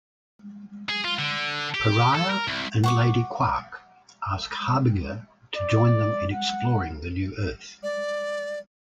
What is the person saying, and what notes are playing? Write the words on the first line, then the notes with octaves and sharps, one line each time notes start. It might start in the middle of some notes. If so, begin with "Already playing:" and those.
Pariah, and Lady Quark, ask Harbinger to join them in exploring the new earth.
G#4
F4
D3
G4
A4
A#4
C2
F#5 C#6 D6
D5
F#5
D5